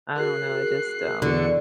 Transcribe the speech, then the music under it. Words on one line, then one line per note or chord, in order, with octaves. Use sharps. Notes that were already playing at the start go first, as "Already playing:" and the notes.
I don't know, I just, um,
F#4 G#4 A#4 F#6 C7
E2 D3 F#4 C#7